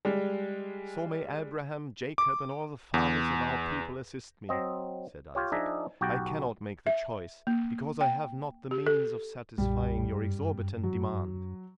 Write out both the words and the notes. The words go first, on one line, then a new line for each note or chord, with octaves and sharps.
"So may Abraham, Jacob, and all the fathers of our people assist me," said Isaac, "I cannot make the choice, because I have not the means of satisfying your exorbitant demand!"
G3 G#3
D6
E2
F#3 C4 D#5
F4 G4 C#5
F3 D4 D#4 G#4 D#5 E5
B1 F#4 G4 G5 A5
E5
A#3
G5
G4
A4
B1 F#2 A#2 G3
G2
F#3